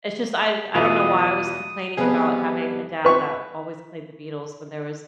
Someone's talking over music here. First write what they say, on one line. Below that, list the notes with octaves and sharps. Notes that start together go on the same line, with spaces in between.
It's, just, I I don't know why I was complaining about having a dad that always played the Beatles when there was
E2 B2 F4 D#6
F2 G3 B3 G#4 B4
B4 C#6